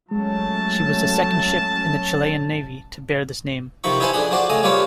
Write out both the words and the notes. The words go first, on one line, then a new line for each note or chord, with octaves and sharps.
She was the second ship in the Chilean Navy to bear this name.
F#3 G#3 A3 C#4 A5
C3 D#3 F3 B5 C#6
D#4 E4 B4 C5 G#5 A5
F2 D4 G#4 B5
F3 F#4 C5 D5
C#3 A3 D#5 G#5
G3 A#3 C4 F4 B4 C#5